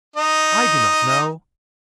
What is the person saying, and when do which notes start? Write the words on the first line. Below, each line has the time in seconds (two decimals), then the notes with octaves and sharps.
I do not know.
0.16 D#4 D#5